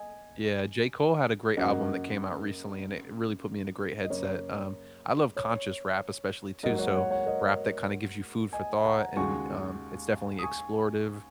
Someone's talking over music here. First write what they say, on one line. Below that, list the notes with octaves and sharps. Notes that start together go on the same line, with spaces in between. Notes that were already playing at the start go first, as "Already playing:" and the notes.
Yeah, J. Cole had a great album that came out recently, and it really put me in a great headset, um, I love conscious rap especially too, so rap that kinda gives you food for thought and, um, it's definitely explorative,
Already playing: D#5 G#5
F#2 C#3 A#3 F#4 A#4 D#5
D#5
F#2 C#3 A#3 C#5
C#5
G#2 F#3 A#3 F#4 A#4 D#5
C#5 F#5
C#5 F#5
C#5 F#5
A#4 D#5
D#5 G#5
F#5 A#5
D#2 C#3 G#3 F#4 G#5 C#6
D#6
G#5 C#6